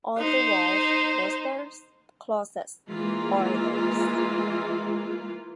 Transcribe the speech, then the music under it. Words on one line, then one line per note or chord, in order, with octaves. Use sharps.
On the walls, posters, closets, orders.
D#4 C5
E3 G#3 A#3 F4